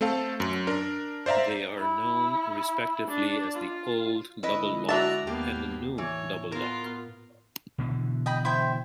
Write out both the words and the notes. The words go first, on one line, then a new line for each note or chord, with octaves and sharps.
They are known respectively as the Old Double Lock and the New Double Lock.
A3 C4 A4 F5 A5
F#2
D4 A#4
C5 D5 E5 F5 A#5
E4
D4 D5
F4
D3 G#3 E4 B4 D#5
D4 F#4 E5 A5 A#5
D#2 A#3 B3 G4
A2 E3 C#5
B3 F4 A#4
B2 D3 E3
D#5 G5 B5
E4 C5 G5